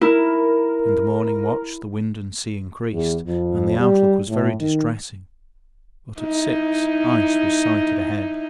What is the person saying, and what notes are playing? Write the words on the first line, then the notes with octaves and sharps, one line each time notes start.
In the morning watch the wind and sea increased and the outlook was very distressing, but at six ice was sighted ahead.
E4 A#4
E2
F2
G3
A2
D#3
D#4 E4